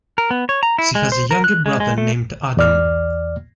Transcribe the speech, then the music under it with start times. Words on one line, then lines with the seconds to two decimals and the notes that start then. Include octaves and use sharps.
She has a younger brother named Adam.
0.18 A#4
0.31 B3
0.49 C#5
0.63 A#5
0.78 E4
0.95 G#3
1.12 C5
1.31 A#4
1.44 F#6
1.66 G#3
1.80 G#3
1.98 A3
2.57 E2 D5 F6